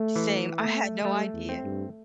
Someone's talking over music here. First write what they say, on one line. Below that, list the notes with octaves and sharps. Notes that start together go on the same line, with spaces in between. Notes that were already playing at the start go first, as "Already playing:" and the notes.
Same. I had no idea.
Already playing: A3
E3
A3
G3 A3
E2
C4
G2